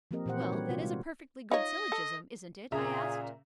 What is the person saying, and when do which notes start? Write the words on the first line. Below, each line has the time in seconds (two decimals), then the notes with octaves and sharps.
"Well, that is a perfectly good syllogism, isn't it?" I asked.
0.11 F3 A#3 C4 G4 A#4 D#5
0.26 A#2 E3 G4 C5 F#5
0.40 C4 D#4 F#4 A#4 B4 C#5
0.52 G3 D4 G4
0.69 C3 F4 F#4
0.82 G#3 F#4
1.51 D#4 F4 C#5 D#5
1.92 A4
2.72 A#2 C#3 G#4 E5 A#5